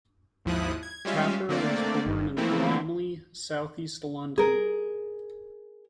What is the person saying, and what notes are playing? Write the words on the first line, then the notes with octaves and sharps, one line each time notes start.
Tapper was born in Bromley, South East London.
G#1 D#2 F3 E4 D#6 F#6
G#6
G3 G#3 C#4 F4 E5 F5
D3 A3 A#3 C4 D4 D5
G1 G2
E3 F3 A3 A#3 C4 E4
G#4 A#4